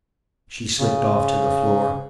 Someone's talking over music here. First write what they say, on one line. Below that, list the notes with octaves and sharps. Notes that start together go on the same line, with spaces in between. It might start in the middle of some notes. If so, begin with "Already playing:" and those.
She slipped off to the floor.
C#3